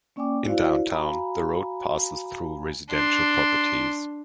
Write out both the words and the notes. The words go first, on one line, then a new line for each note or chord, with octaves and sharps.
In downtown the road passes through residential properties.
A#3 C#4 D5 G5 G#5 D6
E4 F#4 C5 D5 F5
F#4 F5 G#5 A#5 B5
D4 C6